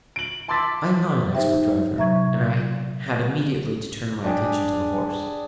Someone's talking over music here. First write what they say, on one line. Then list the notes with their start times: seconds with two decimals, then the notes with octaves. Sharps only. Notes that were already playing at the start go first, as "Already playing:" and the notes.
I am not an expert driver, and I had immediately to turn my attention to the horse.
0.16 D7 F#7
0.48 A5 C6 D6 E6 A6 B6
1.34 D#4 G4 C5 E5 G5
1.97 C3 F#3 E5 A#5 C#6 G#6
4.24 D4 G4 G#4